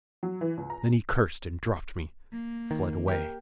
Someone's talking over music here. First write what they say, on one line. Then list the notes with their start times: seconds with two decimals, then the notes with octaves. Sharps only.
Then he cursed and dropped me; fled away.
0.23 F#3
0.41 E3
0.57 C#2
0.70 A#5
2.33 A#3
2.71 D#3
3.08 G4 A#4